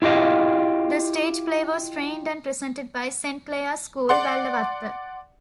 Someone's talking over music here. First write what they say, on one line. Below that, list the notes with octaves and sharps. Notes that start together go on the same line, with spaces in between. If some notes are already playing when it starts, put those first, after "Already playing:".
The stage play was trained and presented by Saint Clare's School, Wellawatte.
E4 F4 G4 D#5 F5
D5 F#5 C6